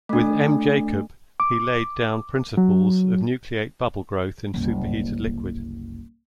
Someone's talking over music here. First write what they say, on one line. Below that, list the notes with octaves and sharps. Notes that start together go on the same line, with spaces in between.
With M. Jakob he laid down principles of nucleate bubble growth in superheated liquid.
A3 D4
D6
F#3
F#1 C2